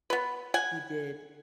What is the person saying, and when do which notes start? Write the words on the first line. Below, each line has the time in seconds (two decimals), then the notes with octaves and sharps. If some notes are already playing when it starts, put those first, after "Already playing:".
he did
0.10 B3 B4
0.54 F#5 G#5